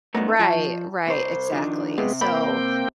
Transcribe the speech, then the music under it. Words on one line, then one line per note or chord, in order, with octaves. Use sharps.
Right, right, exactly. So,
F3 A3 B3 C#4 D#4
F3 C#5 E5 A5
C2 C5
D#3 F3 D4
C3 G#3 B3 C4 F4
A#3 C4 G5 B5